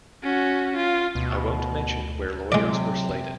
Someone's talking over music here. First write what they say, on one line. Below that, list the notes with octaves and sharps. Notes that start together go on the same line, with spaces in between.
I won't mention where lawyers were slated.
C#4 F#4
F4
D2 B2
C3 F#3 G#3 D5